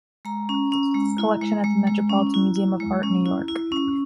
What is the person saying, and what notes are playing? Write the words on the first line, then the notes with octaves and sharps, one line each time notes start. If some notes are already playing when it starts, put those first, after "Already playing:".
Collection at the Metropolitan Museum of Art, New York.
G#3 A#5
C#4
C#4
G#3
E4
G#3
G#3
G#3
C#4
E4
E4
G#3
C#4
E4
E4
C#4